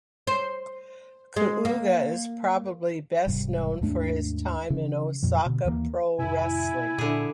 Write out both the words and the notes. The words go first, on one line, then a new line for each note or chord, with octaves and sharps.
Kuuga is probably best known for his time in Osaka Pro Wrestling.
C5
G#3
A#3
E1 G#2 C3 G3
D#2 G#2 A3 D4
C#3 E3
F2 A#2 F3
B2 D3
D#2 E3 G3 A#3
F2 A2 C3 E4 G#5
A#2 D3 G#4